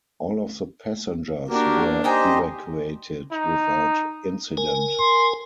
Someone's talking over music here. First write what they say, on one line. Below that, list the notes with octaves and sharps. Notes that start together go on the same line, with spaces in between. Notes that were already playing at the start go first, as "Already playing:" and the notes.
All of the passengers were evacuated without incident.
A#3 D4 F#4 G4 A#4
D#4 G4 C5 D#5 G5 G#5
D#4
A#4 G#5
C6